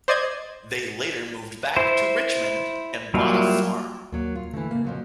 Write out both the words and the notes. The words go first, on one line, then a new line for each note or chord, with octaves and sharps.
They later moved back to Richmond and bought a farm.
C5 D5 D#5 G#6
E4 C5
F#3 G3 A#3 E4 F4
D#2 F#3 A#3
F4
D3 E3 A3 E4
C#3 A#3 F5
F2 F3 F#3